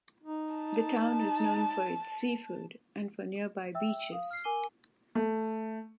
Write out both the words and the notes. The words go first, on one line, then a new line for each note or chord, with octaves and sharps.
The town is known for its seafood and for nearby beaches.
D#4
A5
E5 G5 E6
F5 D#6
F6 C7
A#4 G#5 D6 E6 D#7 G7
A3